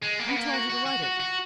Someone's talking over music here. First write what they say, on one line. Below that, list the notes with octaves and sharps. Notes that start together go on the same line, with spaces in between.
'Who told you to write it?'
G#3
A#3
B3
A#3
F#4
F#4
F#4
F#4
F#4